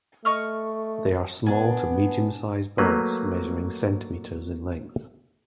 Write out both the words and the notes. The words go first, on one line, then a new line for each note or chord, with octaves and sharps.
They are small to medium-sized birds, measuring cm in length.
A3 D#5 C#6 F6
B3 D4 G#5
F#3 A3 A#3 B4